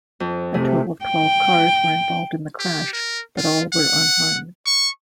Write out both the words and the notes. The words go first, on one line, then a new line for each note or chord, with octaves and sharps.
A total of twelve cars were involved in the crash, but all were unharmed.
F2
C3 A3 E4 G#4
G5
G4
A#4
F4
F#5
C#6